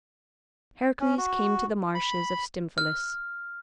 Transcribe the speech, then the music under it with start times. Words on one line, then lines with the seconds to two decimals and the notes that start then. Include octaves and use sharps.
Heracles came to the marshes of Stymphalus.
1.01 C#4
1.18 F#4
1.95 B5
2.78 F6